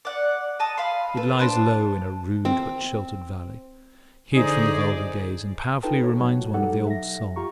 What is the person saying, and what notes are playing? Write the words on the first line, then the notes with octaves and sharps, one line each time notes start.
It lies low in a rude, but sheltered valley, hid from the vulgar gaze, and powerfully reminds one of the old song.
D5 F#5
D#5 A5 D#6
F5 B5 C6
A4 B4
D4 C5 A5
C4
D3 D#4 G#4 C5 D5
D#4 F4 A4 B4 G5 A5
C#5
B2 F#3 F#4
F#3 G3 D#4 G4 A4 F#5
E5 A#6
F4 G4 A#5 C#6